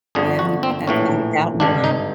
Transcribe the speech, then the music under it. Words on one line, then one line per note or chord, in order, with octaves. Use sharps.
yeah, you put that cloud of doubt in your mind.
G1 F2 D3 G#4
F#4
C4
A#1 A2 E3 C#4
G#1 G2 D3 D4
D#4